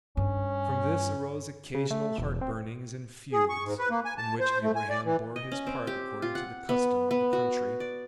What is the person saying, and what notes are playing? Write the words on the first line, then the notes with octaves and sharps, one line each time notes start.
From this arose occasional heart- burnings and feuds, in which Abraham bore his part according to the custom of the country.
G2 C#4
C#3
A3
E1
C4
G#4
C#6
G#2
B4
A#3
G#5
A5
C5
A3
G#5
D5
E3
D#5
C#4
C4
G4
F4
F#5
B3
B3
F#4
D5